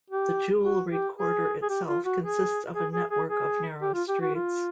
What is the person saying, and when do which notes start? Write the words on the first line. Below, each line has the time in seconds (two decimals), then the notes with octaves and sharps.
The Jewellery Quarter itself consists of a network of narrow streets.
0.10 G4
0.64 F#4
0.90 G4
1.16 G#4
1.62 G#4
1.69 G4
1.87 F4
2.05 F#4
2.23 G#4
2.75 G#4
2.93 G#4
3.10 G#4
3.28 G#4
3.82 G4
3.94 F4
4.08 G4
4.21 F#4
4.35 F4